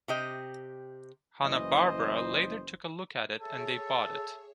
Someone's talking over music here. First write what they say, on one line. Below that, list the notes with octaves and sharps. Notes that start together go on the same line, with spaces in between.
Hanna-Barbera later took a look at it and they bought it.
C3 G4 D#5
F#1 E3 C5 D#5
G#4 A4 C#5 E5